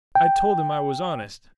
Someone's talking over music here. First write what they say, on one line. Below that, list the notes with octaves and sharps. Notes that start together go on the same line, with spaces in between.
I told him I was honest.
G5